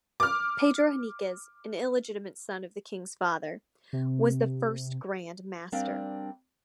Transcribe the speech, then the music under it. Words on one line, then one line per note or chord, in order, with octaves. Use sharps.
Pedro Henriques, an illegitimate son of the King's father, was the first grand master.
D6 F6
C3
G3 C4 D4 A#4 D5 F5